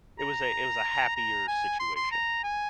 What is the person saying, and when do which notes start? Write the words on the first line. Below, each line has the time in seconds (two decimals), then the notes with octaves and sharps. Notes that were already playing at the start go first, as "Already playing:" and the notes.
it was a it was a happier situation.
0.19 A#5
1.16 A#5
1.48 G#5
1.80 C6
1.96 C6
2.12 A#5
2.44 G#5